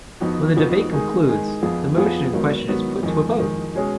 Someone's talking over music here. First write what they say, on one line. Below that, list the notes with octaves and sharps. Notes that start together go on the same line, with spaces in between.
When the debate concludes, the motion in question is put to a vote.
F2 F3 B3 D#4 F#4
F2 F3 B3 D#4 F#4
D#3 G#3 D#4 G#4
D#3 G#3 D#4 G#4
F2 F3 B3 F4 G#4
F2 F3 B3 F4 G#4
G#2 D#3 F#3 B3
G#2 D#3 F#3 B3
F2 D#3 G#3
F2 D#3 G#3
B2 G#3 C#4 G#4